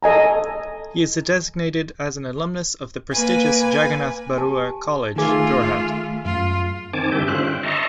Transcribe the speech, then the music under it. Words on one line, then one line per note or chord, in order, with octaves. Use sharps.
He is designated as an alumnus of the prestigious Jagannath Barooah College, Jorhat.
A4 D#5 G#5 A#5
A#3 B4 G#5
G4 G#5 A5
D#3 A3 D#4 F4 G#4 G#5
F#2 F4
D#3 C4 G#5 A5 D6
G2 D3 G4 E5 G6
D3 C#4 F4 C5 E5 F#6
G5
D#5 E5 A5 A#5 C6 C#6